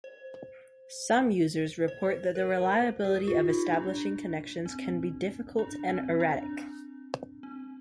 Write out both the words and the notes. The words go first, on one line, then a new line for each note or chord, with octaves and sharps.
Some users report that the reliability of establishing connections can be difficult and erratic.
C5
C5
A#4
G4
F4
D#4
D4
C4
D4
C4
D4
C4